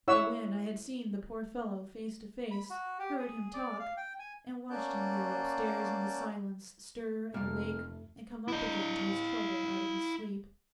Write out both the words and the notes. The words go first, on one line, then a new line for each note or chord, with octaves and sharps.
But when I had seen the poor fellow face to face, heard him talk, and watched him there upstairs in the silence stir and awake and come up again to his trouble out of his sleep.
E4 C#5 E5 F#5 E6
B5
F#4
G4
G#4
D5
F5
G5
G#5
A#3 C#4 F#4 D5 A5 G6
F1 F2 A#2 A3 F6
E4 D#5